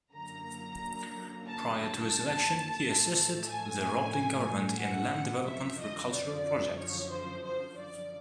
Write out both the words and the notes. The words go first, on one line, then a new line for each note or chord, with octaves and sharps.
Prior to his election, he assisted the Roblin government in land-development for cultural projects.
F#2 D3 F#3 A#3 A#5
A5
A2 F3 A3
G#5
F#5
F#2 D3 F3 E5
D#5
D5
C#5
C5
C5
D5